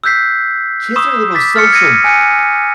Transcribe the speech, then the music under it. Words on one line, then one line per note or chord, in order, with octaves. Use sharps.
kids are little social
E6 F#6 G6 B6 C7
B5 C#6 D#6 E6 E7
D6 A6 B6
F6 A6 C#7
G#6 A#6 C#7 D#7
G#5 F#6 C#7 D#7